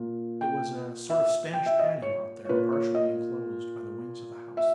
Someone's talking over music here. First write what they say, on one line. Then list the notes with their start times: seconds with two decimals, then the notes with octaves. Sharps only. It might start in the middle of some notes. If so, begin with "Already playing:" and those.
It was a sort of Spanish patio out there, partially enclosed by the wings of the house.
Already playing: A#2
0.41 G5
1.10 E5
1.53 G5
1.66 E5
1.79 D#5
2.02 C#5
2.45 C#5
2.49 A#2 B4
2.72 C#5
2.95 D#5
4.57 E5